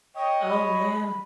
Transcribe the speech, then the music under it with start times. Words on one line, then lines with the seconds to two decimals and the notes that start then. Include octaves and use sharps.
Oh, man.
0.16 C#5 D#5 G5
0.50 B5